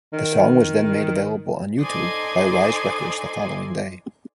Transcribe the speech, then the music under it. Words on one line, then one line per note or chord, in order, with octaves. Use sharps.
The song was then made available on YouTube by Rise Records the following day.
D#3
D#4 A4 C5 D5 D#5 G#5